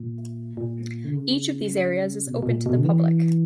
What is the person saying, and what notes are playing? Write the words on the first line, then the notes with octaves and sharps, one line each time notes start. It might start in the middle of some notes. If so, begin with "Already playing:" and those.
Each of these areas is open to the public.
Already playing: A#2
A#2
D3
C#3
B2
B2
A#2
B2
D3
E3